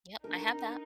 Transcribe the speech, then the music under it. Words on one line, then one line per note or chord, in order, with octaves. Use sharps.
Yep, I have that.
D4 D#4 A#4